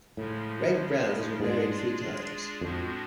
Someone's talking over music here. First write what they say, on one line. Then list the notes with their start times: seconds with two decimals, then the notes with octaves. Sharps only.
Greg Brown has been married three times.
0.17 A2 C#3 F3 G#3
1.39 G#2 G#3 D4 F4 G#4 D5
2.61 F2 A2 F3 G#3 D4 F#4